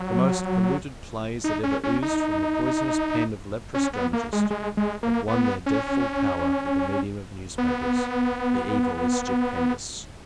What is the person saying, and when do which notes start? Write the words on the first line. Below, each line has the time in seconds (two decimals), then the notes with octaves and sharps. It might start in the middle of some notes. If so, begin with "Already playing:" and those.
The most polluted plays that ever oozed from the poisonous pen of leprous dramatist have won their deathful power through the medium of newspapers; the evil is stupendous!
Already playing: F#3
1.44 D#4
1.64 C#4
1.84 C#4
2.02 D#4
3.74 C#4
3.93 B3
4.13 A#3
4.33 G#3
4.51 G#3
4.77 G#3
5.03 A#3
5.28 B3
5.66 C#4
7.58 B3